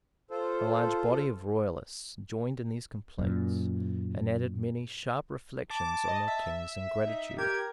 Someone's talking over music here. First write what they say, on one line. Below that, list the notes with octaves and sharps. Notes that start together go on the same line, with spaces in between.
A large body of Royalists joined in these complaints, and added many sharp reflections on the King's ingratitude.
F4 A4 C5
F#2 A#2
A5 D6
D#5
E5
D#4
G4 A#4 G#6